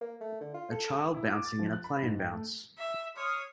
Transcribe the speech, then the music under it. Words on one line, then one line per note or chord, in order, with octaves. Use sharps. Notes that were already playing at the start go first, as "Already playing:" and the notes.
A child bouncing in a play and bounce.
A#3
A3
D3
F4
A4
E4
D6
A6
F3
F#6
B5
G#2
G5
A3
E5
C#5 C6 D#6 F6